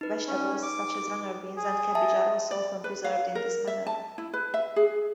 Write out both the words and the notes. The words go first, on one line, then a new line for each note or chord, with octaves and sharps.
Vegetables such as runner beans and cabbage are also often preserved in this manner.
D#4 B4
C#4
D6
G#4
E5 A5
D5
B4
F5
A#4
E5
A5
E4
B4
E5
G#4